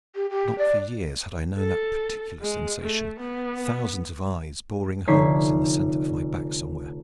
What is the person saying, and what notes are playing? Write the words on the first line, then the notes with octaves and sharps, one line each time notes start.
Not for years had I known that particular sensation--thousands of eyes, boring holes in the center of my back somewhere.
G4
G4
D5
A4
G#3
A3
B3
F1 D3 D#4 C#5 B6 C7